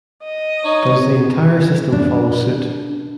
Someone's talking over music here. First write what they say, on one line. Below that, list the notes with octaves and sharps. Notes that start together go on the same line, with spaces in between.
Does the entire system follow suit?
D#5
D#4 C#5
D4